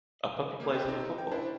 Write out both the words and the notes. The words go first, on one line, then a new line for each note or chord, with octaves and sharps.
A puppy plays with a football.
A#3 G4 G#4
G4 A4 B4 C5 D#5 G5
C4 D#4 G4 A4
D#4
G5
C#4 D4 E4 C5 D5